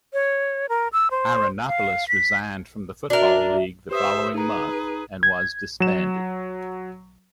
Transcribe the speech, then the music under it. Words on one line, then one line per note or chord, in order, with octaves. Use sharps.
Ironopolis resigned from the Football League the following month and was disbanded.
C#5
A#4
E6
C5
F5
B6
D4 F#4 A#4 E5
G4 B4 C5 E5 D#6
D#4 G#4 B4 A#5
G#6
F#3 E7